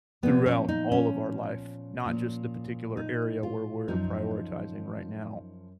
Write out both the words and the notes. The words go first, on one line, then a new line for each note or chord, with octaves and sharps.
throughout all of our life, not just the particular area where we're prioritizing right now,
A#2 F3 B3
C#4
D#4
C#4
A#2 F3
D#4
F4
F#2 F3 D#4